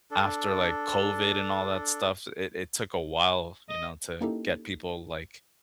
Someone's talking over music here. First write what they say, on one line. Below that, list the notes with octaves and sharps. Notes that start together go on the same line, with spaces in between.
after, like, COVID and all that stuff, it it took a while, you know, to get people, like,
D4 A4
D#5
A#3 C#4 D#4 E4 G4 A4